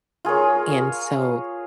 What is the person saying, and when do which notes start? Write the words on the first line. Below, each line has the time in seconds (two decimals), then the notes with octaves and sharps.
And so,
0.25 F4 G#4 A#4 C#5